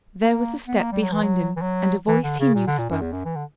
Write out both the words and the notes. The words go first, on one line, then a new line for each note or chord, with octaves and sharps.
There was a step behind him, and a voice he knew spoke.
A#3
B3
A#3
G3
F#3
E3
F#3
E3
F#3
E3
D3
C#3
A#2
D3
A#2
F#2
E2
F#2
E3
D3